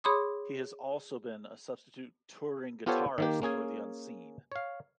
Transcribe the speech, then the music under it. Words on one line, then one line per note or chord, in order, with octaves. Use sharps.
He has also been a substitute touring guitarist for The Unseen.
G#4 C#5 B5 C6 D6 D#6
B3 F4 G4 A4 C5 C#5
D#3 A#3 G4
A#3 C#4 G#4 G#5
C#5 F5